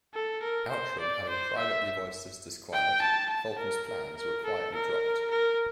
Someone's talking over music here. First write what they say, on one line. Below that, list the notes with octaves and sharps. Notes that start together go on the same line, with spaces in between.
Outram having privately voiced his disquiet, Fulton's plans were quietly dropped.
A4
A#4
C5
D5
C5
E5
G5
A5
A5
A#4
A#4
A#4
A4
A#4
A#4